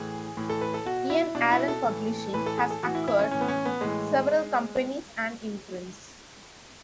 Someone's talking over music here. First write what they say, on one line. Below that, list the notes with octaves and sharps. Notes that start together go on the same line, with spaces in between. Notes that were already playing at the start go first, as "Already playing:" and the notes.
Ian Allan Publishing has acquired several companies and imprints.
Already playing: A2 E3 G#4
A2 E3
A4
B4
A4
B2 F#4
E4
B2 D4
E4
A4
A2 E3
A2 E3 B4
A4
G#4
A4
A2 E3 F#4
E4
E4
C#4
A2 E3 C#4
B3
C#4
B3
A2 E3 G#3